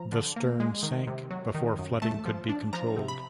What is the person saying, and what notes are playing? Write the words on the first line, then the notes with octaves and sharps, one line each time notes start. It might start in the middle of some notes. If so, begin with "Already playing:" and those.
The stern sank before flooding could be controlled.
Already playing: F3 A#5
D3
A#3
G#3
D#3
C3
F#3
D#3
F#2
A3 A5
F3
D4
F3 A#5
C3
B5